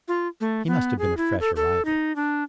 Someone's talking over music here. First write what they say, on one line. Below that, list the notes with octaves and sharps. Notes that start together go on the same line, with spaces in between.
He must have been a fresh arrival.
F4
A3
B3
G#4
E4
A4
A4
D#4
D4